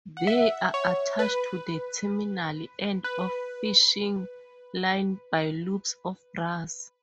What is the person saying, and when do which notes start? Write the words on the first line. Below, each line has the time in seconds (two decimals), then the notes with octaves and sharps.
They are attached to the terminal end of fishing line by loops of brass.
0.17 F#5
0.27 E5
0.74 C#5
1.19 B4
3.04 B4